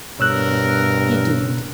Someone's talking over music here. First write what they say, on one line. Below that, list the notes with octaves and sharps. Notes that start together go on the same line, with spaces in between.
He didn't.
G2 B2 A#4 C#5 E6 F#6